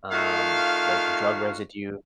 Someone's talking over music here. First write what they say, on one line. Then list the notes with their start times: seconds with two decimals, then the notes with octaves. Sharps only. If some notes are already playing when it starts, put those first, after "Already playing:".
um, like drug residue.
0.12 D#3 A3 F4 F#4 F5